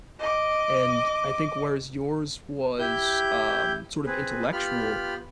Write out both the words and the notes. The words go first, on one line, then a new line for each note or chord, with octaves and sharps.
and I think whereas yours was, um, sort of intellectual,
D#5 D6
E4 G4 G6
C4 G#4 B4
B3 F4 G4 B5 F6